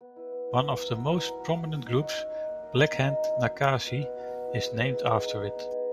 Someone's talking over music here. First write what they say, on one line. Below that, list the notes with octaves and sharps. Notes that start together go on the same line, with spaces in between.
One of the most prominent groups, Blackhand Nakasi, is named after it.
B3
E4 B4
B3
E4 B4
B3
E4 A#4
B3
E4 A#4
F#3
C#4 F#4
F#3
C#4 F#4
D#4
F#4 C#5 E5
D#4
F#4 C#5 E5
A#3
D#4 A#4 D#5
A#3
D#4 A#4 D#5
F#3
C#4 E4
F#3
C#4 E4
B3
F#4 A#4 D#5
B3
F#4 A#4 D#5
B3
E4 G#4 B4
B3
E4 G#4 B4
D#4
G#4 B4
D#4
G#4 B4
B3
D#4 G#4 D#5